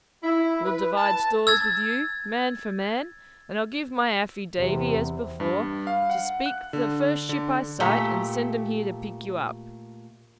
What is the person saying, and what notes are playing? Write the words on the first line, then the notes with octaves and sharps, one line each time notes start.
We'll divide stores with you, man for man; and I'll give my affy-davy, as before to speak the first ship I sight, and send 'em here to pick you up.
E4
B4
A5
E6 G#6 A6
E2 C3
G2
F5
F#5
F#6
D3
D3
A#2 A3 G4